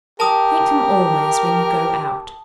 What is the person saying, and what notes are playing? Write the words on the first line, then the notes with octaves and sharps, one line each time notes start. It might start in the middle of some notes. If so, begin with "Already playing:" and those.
Thank him always when you go out.
G4 A#4 A5 D#6